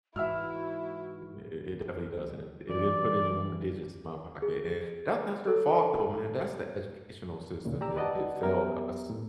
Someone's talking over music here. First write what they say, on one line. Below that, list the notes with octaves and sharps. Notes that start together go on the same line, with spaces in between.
I i it definitely doesn't, it didn't put any more digits in my pocket. And, that's not your fault, though, man. That's the educational system that that failed us'
G#2 E3 E4 F#4 E5 E6 F6
E3 D5
G#4
A4
D2 A#2 C#3
G4 D5 A#5 E6
B4 D5 D#5 F#5 A5
F#3 B3 G4 A#4 E5
A2